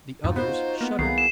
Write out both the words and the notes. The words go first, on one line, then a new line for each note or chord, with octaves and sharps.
The others shuddered.
F2 G#2 D#4 F4 F#4
B3 C5
A#3 B3
C2 D#3 F#3 A#3 E4 G#4 C7
E7